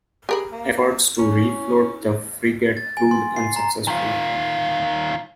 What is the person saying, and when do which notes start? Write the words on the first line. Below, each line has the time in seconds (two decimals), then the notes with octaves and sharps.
Efforts to refloat the frigate proved unsuccessful.
0.29 G4 G#4 A#4 B5
0.52 A#3
1.19 C#4 E4
2.77 A6
2.97 G#5
3.11 C6
3.36 C7
3.56 A#5
3.88 D#3 F4